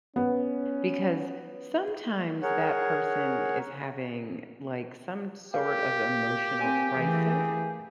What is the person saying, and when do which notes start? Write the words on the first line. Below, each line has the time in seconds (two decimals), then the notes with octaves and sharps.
because sometimes that person is having, like, some sort of emotional crisis,
0.16 B3 C#4
2.43 G#4 A#4 C#5 F#5
5.54 G4 A#4 F5
6.60 C4 G#5
6.91 E3 A3 G#4